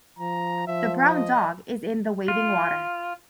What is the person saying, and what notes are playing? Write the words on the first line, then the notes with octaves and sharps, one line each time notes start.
The brown dog is in the waving water.
F3 A#5
F3 E5
D#5
F4